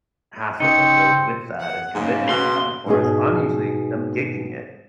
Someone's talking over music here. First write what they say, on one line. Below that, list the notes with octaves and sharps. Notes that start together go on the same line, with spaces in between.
hassle that goes with that and commitment that that requires, I'm usually I'm gigging it.
C#3 C4 D#4 C#7
F#5
G#2 C#3 A#3
B2 C6
G#2 B2 G#4